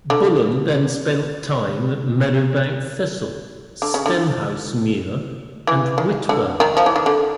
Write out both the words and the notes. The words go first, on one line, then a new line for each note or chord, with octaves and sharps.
Bullen then spent time at Meadowbank Thistle, Stenhousemuir and Whitburn.
D3
D3
C#3
D3
E3
D#3
D3
D#3
F3
E3
D#3
D3